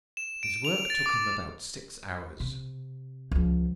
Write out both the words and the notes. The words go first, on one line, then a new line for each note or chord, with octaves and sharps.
His work took him about six hours.
E7
D7
F7
A6
D6
C3
C#2 F3